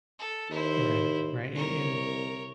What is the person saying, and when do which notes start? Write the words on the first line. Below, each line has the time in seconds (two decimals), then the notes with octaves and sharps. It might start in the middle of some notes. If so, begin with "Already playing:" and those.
Right, right, and and
0.19 A4
0.51 D#2 E4 C5
1.55 C2 A#4 C#5